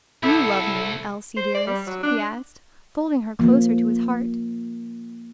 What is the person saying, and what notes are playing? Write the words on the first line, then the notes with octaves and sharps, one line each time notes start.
"Do you love me, Elsie, dearest?" he asked, folding her closer to his heart.
C2 E4 A4
C5
D5
G3
F#3
D4
F3 A#3